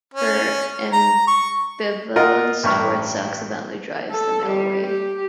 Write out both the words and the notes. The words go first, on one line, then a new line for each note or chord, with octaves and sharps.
Her ambivalence towards sex eventually drives the male away.
C#4
A#5
C#6
F4 A#4 D#5 F#5
A1 G2 C#6 F6
A4
G3
G4